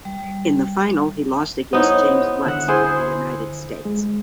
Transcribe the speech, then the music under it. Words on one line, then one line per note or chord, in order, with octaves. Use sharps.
In the final he lost against James Lutz of the United States.
G3
B3 D#4 E4 C5 C#5
D3 E5 F#5
E4 G#4 C5
G#3